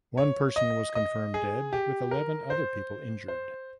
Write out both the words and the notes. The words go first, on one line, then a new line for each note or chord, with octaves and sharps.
One person was confirmed dead with eleven other people injured.
C#5
D#5
D#5
G#4
G4
A#4
C5
C5